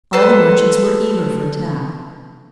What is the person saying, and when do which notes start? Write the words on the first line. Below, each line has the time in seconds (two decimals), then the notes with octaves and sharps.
All the merchants were eager for attack.
0.13 A4 B4 C5